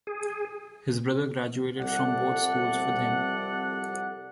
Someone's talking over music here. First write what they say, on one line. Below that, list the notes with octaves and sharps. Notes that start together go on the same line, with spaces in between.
His brother graduated from both schools with him.
G#4
C2 F2 G3 A4 D5 F#5